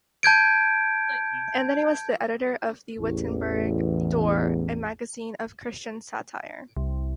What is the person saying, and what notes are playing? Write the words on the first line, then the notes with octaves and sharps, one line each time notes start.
Anthony was the editor of "The Wittenburg Door", a magazine of Christian satire.
A5 G6 G#6 D7
A1 E2
C2